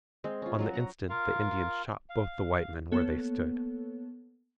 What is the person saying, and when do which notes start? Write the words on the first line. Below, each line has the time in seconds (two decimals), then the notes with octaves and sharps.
On the instant the Indians shot both the white men where they stood.
0.24 G#3 C4
0.42 C#4 F4
0.59 F#3 F4 F#4
0.73 F#5 A#5
1.09 F4 A#4 F5
2.10 F5
2.92 A#3 B3 A4 C#5